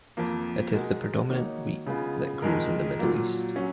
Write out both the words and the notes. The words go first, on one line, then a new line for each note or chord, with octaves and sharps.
It is the predominant wheat that grows in the Middle East.
F2 F3 A#3
B2 G#3 D#4 A#4
D#3 A#3 D#4 F#4 C#5
C#3 G#3 B3 F4
F2 D#3 G#3 D#4 A#4
A#2 F#3 A#3
F#3 C#4